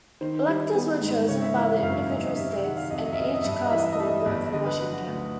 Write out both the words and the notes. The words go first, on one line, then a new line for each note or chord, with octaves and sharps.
Electors were chosen by the individual states, and each cast one vote for Washington.
D#3 C5
G3
B3
G#2
C#3 C#5
E5
E3 E5
E5
F#2 F5
E5
F#2 D#5
D#5
C3 E5
D#3 F#5
F5
F2 D#5
E5
D#5
E5
F2 D#5
E5
D#5
E5
G2 D#5
E5
D#5
E3 E5
D#5
E5
D#5
G3 E5
D#5
G1
D3 D#5
B4
F#3 B4
F#4
D2